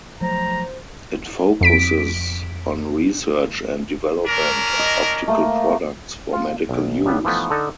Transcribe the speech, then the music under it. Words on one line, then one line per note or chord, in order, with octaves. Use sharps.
It focuses on research and development of optical products for medical use.
F3 F#3 A3 C5 A#5
F2 B6 D7
C#4 D4 A#4
D#5
A3 A#3
F4
B1
C#2 G3 B3
E3 F3 A3 B3 D#4
D3 D#4 A4